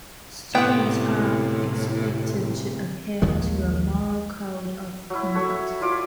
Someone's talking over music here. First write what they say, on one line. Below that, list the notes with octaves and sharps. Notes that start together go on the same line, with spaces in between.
Students are expected to adhere to a Moral Code of Conduct.
D2 A2 C3 B3 F#5 G5
A#1 D#2 D#3 G#3
F#3 E4
F#4 A4 C#5
E5
E4 F4 D5 D6